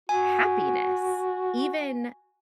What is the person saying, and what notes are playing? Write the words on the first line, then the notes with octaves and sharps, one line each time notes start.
happiness even
F#4 G#5